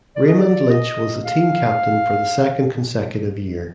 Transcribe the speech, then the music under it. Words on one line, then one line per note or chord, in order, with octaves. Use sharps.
Raymond Lynch was the team captain for the second consecutive year.
D5
D#5
D5
D#5
F5